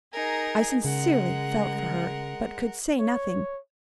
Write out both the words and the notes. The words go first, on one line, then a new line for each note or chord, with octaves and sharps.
I sincerely felt for her; but could say nothing.
D#4 G#4 A#4
C#3 G#3 A#4 F#5
C#5